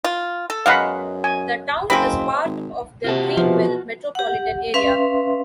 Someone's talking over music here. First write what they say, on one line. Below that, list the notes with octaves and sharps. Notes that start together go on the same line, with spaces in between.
The town is part of the Greenville Metropolitan Area.
F4
A4
F#2 B2 F#3 G#3 F5 F#5 B5
G#5
F#1 G#3 A#3 C4 B5
G#1
C3 F4 F#4 A5
B2 F3
G4 F#5
C#4 B4 E5 F5 C6